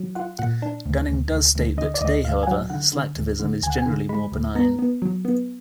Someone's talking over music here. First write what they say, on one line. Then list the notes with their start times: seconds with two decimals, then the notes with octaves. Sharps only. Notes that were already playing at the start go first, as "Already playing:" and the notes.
Dunning does state that today, however, slacktivism is generally more benign.
Already playing: F#3
0.15 F4 F#5
0.39 A#2 F#5
0.62 D4
0.86 D2
1.08 D2
1.32 D2
1.55 D2
1.77 D3 D#5
1.94 D5
2.01 D2 D#5
2.24 D2 F5
2.43 G#5
2.47 F#3 F#5
2.70 D3 F#5
2.93 D3
3.16 D2
3.39 D3
3.63 D2 G#5
3.70 F#5
3.78 G#5
3.86 D3
4.09 G#3 B5
4.32 D2
4.55 B3 A#5
4.79 B3
5.02 F#3
5.25 B3